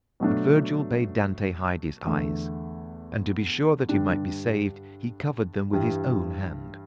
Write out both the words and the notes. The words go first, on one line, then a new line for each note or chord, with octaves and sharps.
But Vergil bade Dante hide his eyes, and to be sure that he might be saved he covered them with his own hand.
B2 F#3 A3 D4
E2 D3 A3
G2 D3 G3 D4
G2 E3 G3